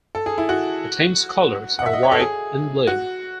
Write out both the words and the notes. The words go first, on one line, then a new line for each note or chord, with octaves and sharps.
The team's colours are white and blue.
A4
G#4
E4
F#4
F#5
E5
D#5
C#5
A4
G#4
F#4